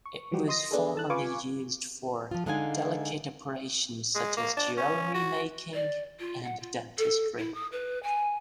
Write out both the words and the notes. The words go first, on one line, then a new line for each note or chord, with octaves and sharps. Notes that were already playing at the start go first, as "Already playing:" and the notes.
It was formerly used for delicate operations such as jewellery making and dentistry.
C#6
E3 F3 G3 F#4 G4
D#5 C6 D#6 A#6
B3 D4 G#4 A4
A4 A5 F#6
F4 B4 F5 G#5 C#6 D6
F3 F4
D3 G#3 D#4 F5 G5 G#5
G#3
A#3
D4
C#4
F#4
D5
F4
F#5
F4
A4
E4
D#6
B4
G#5